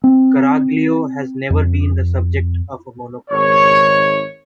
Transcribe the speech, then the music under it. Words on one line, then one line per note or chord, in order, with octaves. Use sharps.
Caraglio has never been the subject of a monograph.
C4
F2
G#1 C#5